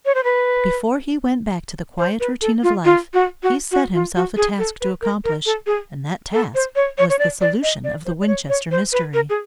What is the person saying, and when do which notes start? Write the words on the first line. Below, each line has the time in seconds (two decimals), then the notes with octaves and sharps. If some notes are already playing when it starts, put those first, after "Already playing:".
Before he went back to the quiet routine of life, he set himself a task to accomplish, and that task was the solution of the Winchester mystery.
0.06 C#5
0.15 C5
0.24 B4
1.98 C5
2.20 B4
2.41 A4
2.63 F4
2.85 F4
3.14 F#4
3.43 F#4
3.72 F#4
3.94 F4
4.16 F#4
4.37 G#4
4.59 A4
4.81 B4
5.01 A#4
5.24 A#4
5.46 A4
5.67 G#4
6.33 A4
6.55 C5
6.76 C#5
6.98 C#5
7.10 C#5
7.19 D5
7.41 D5
7.63 D#5
7.84 D5
8.05 C5
8.21 D5
8.27 C#5
8.49 C#5
8.71 C5
8.92 B4
9.14 A#4
9.30 G#4